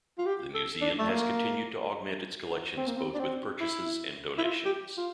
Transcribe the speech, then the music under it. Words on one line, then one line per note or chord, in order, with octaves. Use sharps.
The museum has continued to augment its collections both with purchases and donations.
F4
G4
A4
D4
A3
A#3
C4
A#3
C4
D4
C4
E4
E4
F4
G4
F4